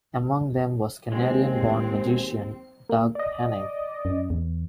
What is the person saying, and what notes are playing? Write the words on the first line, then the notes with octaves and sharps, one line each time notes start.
Among them was Canadian-born magician Doug Henning.
D#2 G#3 C4
A#3
D5 D#5
F#2
E2